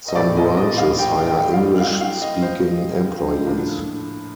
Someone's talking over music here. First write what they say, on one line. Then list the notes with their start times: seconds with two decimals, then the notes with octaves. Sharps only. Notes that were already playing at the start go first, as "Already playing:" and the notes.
Some branches hire English-speaking employees.
0.08 D#5
0.16 A#1 A2 A3 C4 D5
0.37 D#5
0.57 D#5
0.78 F5
0.99 G5
1.26 G5
1.53 F5
1.80 F5
2.01 F5
2.22 D#5
2.42 C5
3.45 A2 F3 A#3 D4